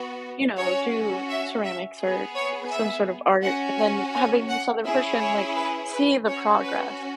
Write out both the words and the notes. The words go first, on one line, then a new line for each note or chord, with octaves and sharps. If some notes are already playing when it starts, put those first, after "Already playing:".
you know, do ceramics or some sort of art and then having this other person like see the progress
Already playing: B3 F#4
C#4 F#4 C#5
E5
E5
B3 G#4
C#5
E5
C#4 F#4 F#5
G#5
G#5
F#5
C#4 E4 G#4 E5
C#5
B4
B4
C#4 F#4 C#5
B4